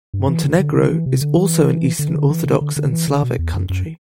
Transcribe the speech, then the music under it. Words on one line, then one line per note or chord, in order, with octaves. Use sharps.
Montenegro is also an Eastern Orthodox and Slavic country.
G2
E3
D3
D3
D3
E3
C3
D3
E3
D3
E3
D3
E3
D3
D3
D3
E3
D3
B2
E2
F#2
F#2